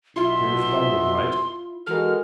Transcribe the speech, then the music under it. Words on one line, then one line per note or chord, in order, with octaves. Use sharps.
Piers by moonlight.
B1 B2 E4 F4 E5 C6
E3 G#3 F#4 A4 A#4 F6